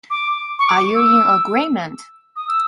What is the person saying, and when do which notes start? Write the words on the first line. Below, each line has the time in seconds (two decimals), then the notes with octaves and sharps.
Are you in agreement?
0.10 D6
0.59 C#6
0.67 D6
0.95 E6
2.36 D#6
2.48 E6